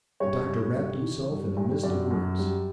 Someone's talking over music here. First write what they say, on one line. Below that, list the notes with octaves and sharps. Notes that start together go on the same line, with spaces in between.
The doctor wrapped himself in a mist of words.
G2 C#5
G2
G3
E3
G2
G2
F#2 D5
F#2
G3